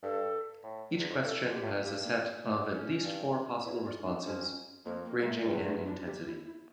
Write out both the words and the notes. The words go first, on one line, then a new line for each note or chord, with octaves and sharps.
Each question has a set of at least four possible responses, ranging in intensity.
G2 A4
A2
E2
F2
G2 A4
F2
G4
A2
G2 G4
A#3
A3
C#4
G2
E2 E4
F4
D4
F2 C#4
F2 A#3
A#3
G3
A3
E2 G3
A3
D4
G4
E4
E4